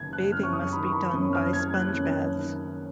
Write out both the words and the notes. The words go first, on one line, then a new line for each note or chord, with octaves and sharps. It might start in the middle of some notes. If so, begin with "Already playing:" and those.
Bathing must be done by sponge baths.
Already playing: F#1 D#3 G#6
F#6
F#2 F6
C#6
D#6
D#3 B5
C#6
B5
F#2 D#6
F6
A#3 G#6
F#6
F#2
D#3